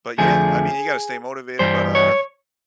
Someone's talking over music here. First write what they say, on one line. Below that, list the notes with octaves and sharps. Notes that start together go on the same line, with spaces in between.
But yeah, I mean, you gotta stay motivated, but, uh,
F2 D3 F3 A3 G#4
G2 E3 G3 C5
C#5